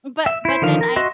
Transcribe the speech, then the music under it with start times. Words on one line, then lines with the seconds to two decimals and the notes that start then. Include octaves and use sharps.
but but then I
0.26 E5
0.45 E4 C5
0.62 D3 D#3 F3 F5
0.81 A#4
0.96 F#4 D#5 E5 C6 C#6